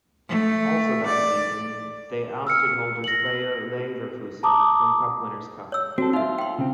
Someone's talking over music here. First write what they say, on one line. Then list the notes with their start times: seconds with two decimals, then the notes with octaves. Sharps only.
Also that season, they ousted holders Bayer Leverkusen from Cup-Winners' Cup.
0.29 A3
1.07 D5
2.47 E6 F6 C#7
3.04 A#6 F#7
4.43 A5 A#5 D6 D#6
5.72 C#5 E6
5.98 C4 F#4 A4
6.13 D#4 F4 E5
6.38 G5 C6
6.58 C#3 C4